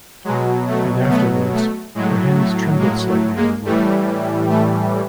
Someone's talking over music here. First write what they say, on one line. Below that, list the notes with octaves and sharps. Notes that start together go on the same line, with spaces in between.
And afterwards her hands trembled slightly at her work.
B2 F#3 G#3
A3
A3 B3
A3
A2 F#3 G#3
A3
G#3 A#3
A3
G#3 A#3
A2 E3 G3 A3
A3